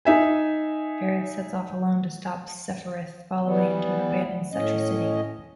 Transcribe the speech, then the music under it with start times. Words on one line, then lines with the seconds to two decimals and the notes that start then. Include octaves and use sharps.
Aerith sets off alone to stop Sephiroth, following him to an abandoned Cetra city.
0.05 D#4 E5 G#5
3.45 E3 G3 B3
4.52 A2 C#4 D#5